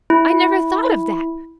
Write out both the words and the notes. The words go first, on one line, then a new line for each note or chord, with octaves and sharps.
I never thought of that!
E4